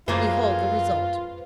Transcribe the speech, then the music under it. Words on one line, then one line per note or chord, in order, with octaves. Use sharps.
Behold the result!
F#2 A3 A#3 F4 G#4 B4 C5